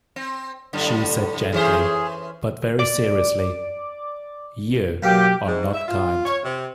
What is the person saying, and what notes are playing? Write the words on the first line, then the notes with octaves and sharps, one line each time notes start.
She said gently, but very seriously, "you are not kind."
C4
F#2 A2 D3
E3 C#4 G#4 C5
D5 D6
B1 A#3 G4
G#2
E5
F4
C#5
C3